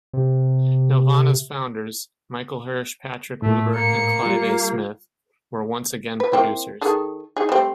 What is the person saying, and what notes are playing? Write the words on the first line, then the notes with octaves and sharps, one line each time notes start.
Nelvana's founders-Michael Hirsh, Patrick Loubert and Clive A. Smith-were once again producers.
C3
A2 A3
A#3 C#7
G3 F4
B4
A#3 C4 E4
D#3 G#4 A4
D#4 G#4
G3 A3 C4